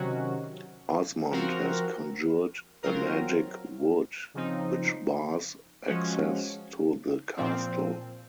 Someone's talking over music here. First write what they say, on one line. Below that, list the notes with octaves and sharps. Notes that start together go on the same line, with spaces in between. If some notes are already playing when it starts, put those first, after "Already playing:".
Osmond has conjured a "Magick Wood" which bars access to the castle.
Already playing: C3 D#3 F#3 C#4 F#4
F3 C4 F#4 A#4
F#3 C4 F4 A#4
C#3 F3 C4 D#4
F3 G#3 C#4 F#4
A#2 F3 C4